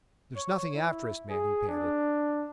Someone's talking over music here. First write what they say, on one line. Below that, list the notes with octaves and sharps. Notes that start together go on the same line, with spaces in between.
"There's nothing after us, men," he panted.
C#5
E4
G#4
D4